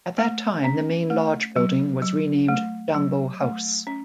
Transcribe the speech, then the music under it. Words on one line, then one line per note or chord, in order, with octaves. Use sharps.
At that time, the main lodge building was renamed Jambo House.
A3
C#4
A3
F#3
F#3
A3
F#3
A3
C#4